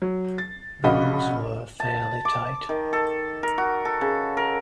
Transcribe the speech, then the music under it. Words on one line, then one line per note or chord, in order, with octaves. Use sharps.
The rules were fairly tight.
F#3
A6
A#1 C#3 F#4 D#5 F#5 B5
A5
D6
D#3
A4
A#4
F#4
A4
C#3
A#4